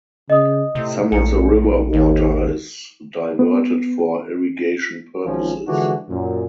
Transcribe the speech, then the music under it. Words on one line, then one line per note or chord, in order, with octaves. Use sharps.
Some of the river water is diverted for irrigation purposes.
C#3 D#5 D#6
A2 C3
A#1 C#7
G#1 D#2
B3
G#1 F3 F#3 C#4 F4
D3 E3 F3 G#3 D4 F#4
F#2 A#2